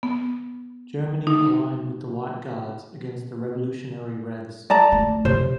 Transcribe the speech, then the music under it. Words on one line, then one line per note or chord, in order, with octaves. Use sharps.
Germany aligned with the White Guards against the revolutionary Reds.
B3
D#4
D5 A5 A#5
A3
C3 C5